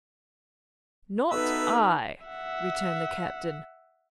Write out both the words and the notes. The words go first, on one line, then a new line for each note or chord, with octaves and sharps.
"Not I," returned the captain.
B3 D#4 F#4 A4 B4 E5
E5 F#5